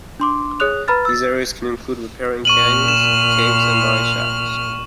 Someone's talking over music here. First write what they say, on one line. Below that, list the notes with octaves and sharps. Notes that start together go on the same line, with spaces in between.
These areas can include riparian canyons, caves, and mine shafts.
D4 C6 D6
G#4 C#5 D#6 F#6 F7
B4 A#5 B5 F6 A6
E6 A6
A#2 C#6 F6 D#7 F#7
E7